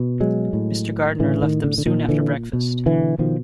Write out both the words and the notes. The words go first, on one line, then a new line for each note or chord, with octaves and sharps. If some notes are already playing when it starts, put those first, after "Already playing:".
Mr. Gardiner left them soon after breakfast.
Already playing: B2
F#3 G#3
A2
A2 D3 E3
D#3
D3
D3
A#2 D#3
D3 E3
B2
D3 E3
B2 D#3 F3